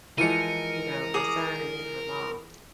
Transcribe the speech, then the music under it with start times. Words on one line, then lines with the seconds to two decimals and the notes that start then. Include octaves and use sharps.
you know, my son and then her mom.
0.18 E3 F3 G#3 A#4 C#7 D#7
1.14 G#4 D6 D#6